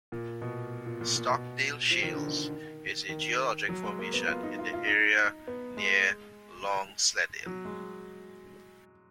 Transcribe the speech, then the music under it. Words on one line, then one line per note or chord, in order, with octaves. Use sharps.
The Stockdale Shales is a geologic formation in the area near Longsleddale.
A#2
B2
A#2
A#2
A#2
B2
F3
D#3
D3
D#3
D#3
F#3
G#3
A#3
B3
F4
D#4
F4
F4
D#4
B3
G#3
F#3
G#3